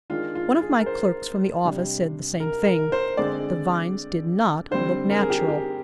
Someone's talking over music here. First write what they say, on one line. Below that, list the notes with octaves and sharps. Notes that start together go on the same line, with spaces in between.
One of my clerks from the office said the same thing--the vines did not look natural.
D#3 G#3 D4 F4
F4
G#4
A#4
C5
C3 G3 D4
A#4
A#4
C5
D3 G#3 C4 D5
D3 G3 C4 C5
A#4
G#4
G4
G#4
G4